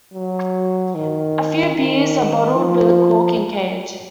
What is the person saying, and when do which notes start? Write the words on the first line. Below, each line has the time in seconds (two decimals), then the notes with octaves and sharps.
A few beers are bottled with a cork and cage.
0.14 F#3
0.95 D#3
1.76 D#3
2.56 F3